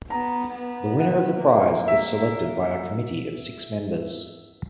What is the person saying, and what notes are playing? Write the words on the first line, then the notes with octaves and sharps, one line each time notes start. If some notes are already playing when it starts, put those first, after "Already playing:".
The winner of the Prize is selected by a committee of six members.
B3 A#5
B3
F#5
A#3
E5